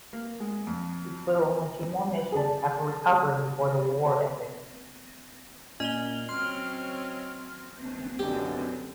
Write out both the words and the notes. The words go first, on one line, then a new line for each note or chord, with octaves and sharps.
He flew only two more missions after recovering before the war ended.
A#3
G#3
F2
G#4 D5 A5
A#2 C#4 D#5 F7 G7
F#3 C4 C#4 C6 F6
F#2 B2 D3 G4